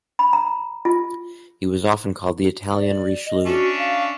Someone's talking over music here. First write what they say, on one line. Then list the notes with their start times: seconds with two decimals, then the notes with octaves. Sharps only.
He was often called the "Italian Richelieu".
0.19 B5
0.33 A#5
0.85 F4
2.74 D5
3.25 D#5
3.45 C#4 D4 F#4 E5
3.78 F5